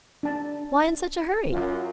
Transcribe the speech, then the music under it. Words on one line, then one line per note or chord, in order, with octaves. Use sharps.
"Why in such a hurry?"
D4 A5
F#2 F4